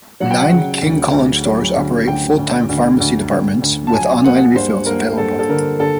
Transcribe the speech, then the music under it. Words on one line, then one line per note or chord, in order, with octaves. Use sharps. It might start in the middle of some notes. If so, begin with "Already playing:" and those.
Nine King Kullen stores operate full-service pharmacy departments, with online refills available.
F#3 F#5
G5
F#5
C#3
D2
D2
F#3
D2
D2 G5
D2
D2
D2
D2
D2
A5
F#3 G#5
A#3 F#5
G2 C5
A#3 A#4
G2 A4
A4
D3 A#4
D3 A4